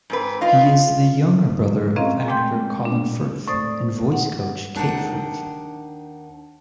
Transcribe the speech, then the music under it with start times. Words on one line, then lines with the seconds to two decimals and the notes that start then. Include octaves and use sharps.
He is the younger brother of actor Colin Firth and voice coach Kate Firth.
0.10 G#2 C4 B4
0.41 F4 D#5 F5
1.96 C4 C#4 G#4 D#5 F5 A#5
2.28 A#2 G#3 A3 G5 C6 G6
2.85 D4
3.48 A2 A3 C5 D5 D#6 A6
4.12 F#5
4.75 D#2 D4 D#4 F#5 G5